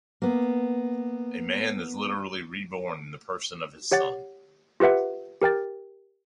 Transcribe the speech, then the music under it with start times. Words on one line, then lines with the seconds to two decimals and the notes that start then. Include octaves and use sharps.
A man is literally reborn in the person of his son.
0.22 A#3 B3
3.91 G4 C#5 F#5 A6
4.80 F4 G4 B4 E5 F#5
5.42 G4 A#4 G5 A6